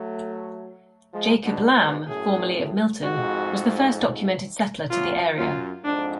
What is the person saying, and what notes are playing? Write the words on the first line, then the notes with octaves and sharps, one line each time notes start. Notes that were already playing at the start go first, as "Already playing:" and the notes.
Jacob Lamb, formerly of Milton was the first documented settler to the area.
Already playing: F#3 A3
F3 G#3
B2 D3
G#2 B2
F#2 A2 G#4
F2 G#2 F#4
F#2 F4
F#2 F4
F2 G#2 D4